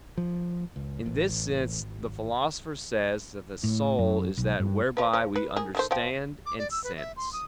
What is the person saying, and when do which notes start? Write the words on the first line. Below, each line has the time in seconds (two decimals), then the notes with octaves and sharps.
In this sense the Philosopher says that "the soul is that whereby we understand and sense."
0.17 F3
0.76 C#2
1.06 A1
1.79 G#1
3.64 A2
3.99 F#2
4.37 B1
4.60 G2
4.97 F3 B4
5.13 F3
5.36 B4
5.56 D#3 G#4
5.75 D#3 A3 C5
5.91 F3 G5
6.46 D6
6.58 D5
6.71 E6
6.84 B4
6.97 E5
7.16 C6
7.33 D#6